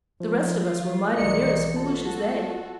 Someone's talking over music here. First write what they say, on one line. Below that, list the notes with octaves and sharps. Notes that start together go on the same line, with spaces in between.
The rest of us were mighty near as foolish as they.
F3
F4
B1 E3 A#4 D5 D#5 C#7
F4 F#4 A4 A5